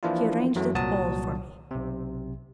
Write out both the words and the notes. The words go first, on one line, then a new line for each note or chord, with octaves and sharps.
She arranged it all for me.
E3 F3 A#3 D4 E4 F4
F#2 E3 F#3 A3
C2 A#2 F#3 F#4 A5 D#6
B1 C3